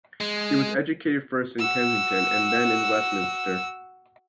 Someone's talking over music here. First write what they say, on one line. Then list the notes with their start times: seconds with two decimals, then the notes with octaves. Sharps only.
He was educated first in Kensington and then in Westminster.
0.21 G#3
1.59 F#4 E6